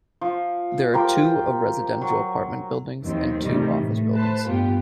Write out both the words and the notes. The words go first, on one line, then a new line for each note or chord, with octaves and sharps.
There are two of residential apartment buildings, and two office buildings.
F3
F4 G4 A#4 C5
F#3
D#2 D#3 E3 F#3 C4
A2 C3 D#3 E3 G3
A2
B4 C5 A5
G2 A#2 B3 F4 G4